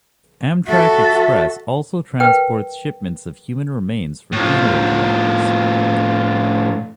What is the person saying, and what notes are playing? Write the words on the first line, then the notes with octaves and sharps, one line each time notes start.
Amtrak Express also transports shipments of human remains for funeral directors.
F#4 A4 E5
A#4 B4 G5
A2 F3